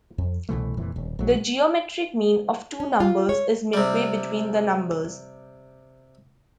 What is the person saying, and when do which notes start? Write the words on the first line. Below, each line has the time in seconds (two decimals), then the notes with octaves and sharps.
The geometric mean of two numbers is midway between the numbers.
0.18 F2
0.49 C2 B2 E3 A3
0.77 F1 A#2 E3
0.96 D#1
1.19 A#1 F#3
2.80 C#4
3.00 F4
3.29 C#5
3.73 C3 G3